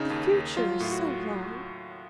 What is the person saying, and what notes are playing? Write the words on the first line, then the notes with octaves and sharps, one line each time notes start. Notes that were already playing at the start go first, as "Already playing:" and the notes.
The future is so long.
Already playing: C#3 D#4
D#2
D#2
F#3 F4
A2 F4
F#4